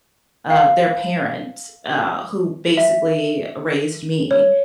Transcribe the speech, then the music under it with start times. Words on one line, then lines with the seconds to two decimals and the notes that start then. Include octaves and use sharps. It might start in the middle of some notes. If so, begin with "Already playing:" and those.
uh, their parent, uh, who basically raised me,
0.50 F5
2.77 E5
4.31 C#5